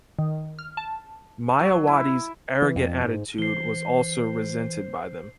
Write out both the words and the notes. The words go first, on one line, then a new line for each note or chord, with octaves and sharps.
Mayawati's arrogant attitude was also resented by them.
D#3
F6
A5
F#3
E4
E3
F2
G#2
E3 C5 C7 G7